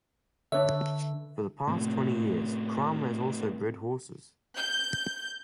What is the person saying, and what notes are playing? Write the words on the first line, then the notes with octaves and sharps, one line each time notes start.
For the past twenty years, Crum has also bred horses.
D3 D4 B4 C#5 E5
A2 C3
G6